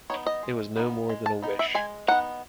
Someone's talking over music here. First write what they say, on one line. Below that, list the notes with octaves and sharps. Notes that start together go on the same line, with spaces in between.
It was no more than a wish.
B3 D#4 C#5
D#5
G#3
B3 D#4
G#3
A5
B3 D#4
E5
G#3 G#5
B3 D#4 F#5